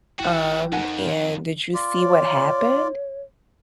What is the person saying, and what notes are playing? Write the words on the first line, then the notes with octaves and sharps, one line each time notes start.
Um, and did you see what happened?
G#1 G3 E4 F#4 G5
F2 G#2 D#4 A#4 F#5 G#5
F4 D5
C#5